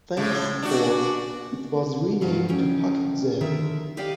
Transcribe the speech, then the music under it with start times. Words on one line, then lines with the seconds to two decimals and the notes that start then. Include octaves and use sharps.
Thenceforth, it was renamed to PocketZip.
0.17 A2 C#3
0.62 D4 F#4
2.21 G2 C3 F3 D#4 F4 F#4
2.49 F2 C#4 D#5 G5
3.41 D3 D#3 A#4 E5
3.97 G4 C5 D5 D#5 F5 G5